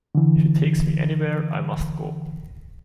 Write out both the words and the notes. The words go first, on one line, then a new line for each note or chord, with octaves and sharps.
If he takes me anywhere, I must go.
D3 E3